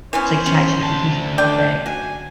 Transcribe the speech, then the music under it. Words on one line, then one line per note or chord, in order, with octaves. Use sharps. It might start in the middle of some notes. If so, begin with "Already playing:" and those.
it's like ChatGPT is perfect.
E3 B3 C#4 C5
C3 C#4
D2 A5
D3 D4 D5 G5
F#4 G#5